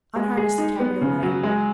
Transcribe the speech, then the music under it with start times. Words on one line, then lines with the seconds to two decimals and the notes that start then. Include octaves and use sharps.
Unharness the cabriolet.
0.16 G#3
0.37 G#4
0.58 D#4
0.80 B3
1.01 C#3
1.23 F#3
1.43 G#3